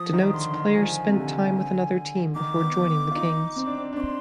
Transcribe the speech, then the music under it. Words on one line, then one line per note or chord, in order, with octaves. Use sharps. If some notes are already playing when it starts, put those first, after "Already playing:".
Denotes player spent time with another team before joining the Kings.
Already playing: F3 D#6
D#3
D3 C6
D#3
F3 G#5
C3
D3
D#3 D6
B3
F4
D#4
C4
D4
C4
D4
C4 C6 D6